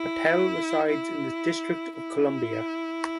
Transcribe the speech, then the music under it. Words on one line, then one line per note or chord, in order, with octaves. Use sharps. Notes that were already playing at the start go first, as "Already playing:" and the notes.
Patel resides in the District of Columbia.
Already playing: E4
E4
E4